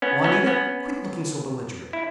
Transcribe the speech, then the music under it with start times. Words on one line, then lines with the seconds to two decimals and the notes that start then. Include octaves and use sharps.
Juanita, quit looking so belligerent.
0.02 B3 C#4
0.24 B3 C#4
0.46 B3 C#4
1.93 E4